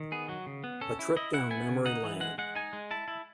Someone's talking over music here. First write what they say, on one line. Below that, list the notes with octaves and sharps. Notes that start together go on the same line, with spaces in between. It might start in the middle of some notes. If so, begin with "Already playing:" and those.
A trip down memory lane.
Already playing: D#3
B3 G#4
F#3 F#4
C#3
B3
C#4 A4
E4
E4 D#5
E4 F#5
B3 G#5
C#3
D#4 F#5
E3
G#3 F#5
G#3 F#5
D#4 G#5
G#3
E4 A5
E4